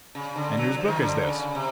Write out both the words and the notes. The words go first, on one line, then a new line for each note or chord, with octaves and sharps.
"And whose book is this?"
C#3
D3
F#3
F3
D#3
D3
C#3
C3